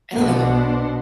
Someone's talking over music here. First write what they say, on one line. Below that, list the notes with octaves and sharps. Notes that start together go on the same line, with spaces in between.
I don't know,
B1 B2 B3 D4 C5 F#5